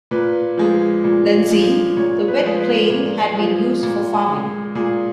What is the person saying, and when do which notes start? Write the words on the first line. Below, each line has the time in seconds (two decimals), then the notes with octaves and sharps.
Lenzie, the 'wet plain' had been used for farming.
0.11 A#2 B4
0.57 F3 G#3
1.04 A#2
1.50 F3 G#3
1.96 A#2 C#5
2.28 B4
2.43 F3 G#3
2.59 B4
2.90 A#2
3.36 F3 G#3
3.83 A#2
4.29 G#3
4.75 A#2 G#4